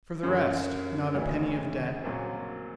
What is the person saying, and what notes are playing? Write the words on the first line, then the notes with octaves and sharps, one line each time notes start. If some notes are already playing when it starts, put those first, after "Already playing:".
For the rest, not a penny of debt.
F#2 D3 G3 A#3 C#4
D2 C#3 E3 G#3
A#1 A#2 F#3 A#3 C4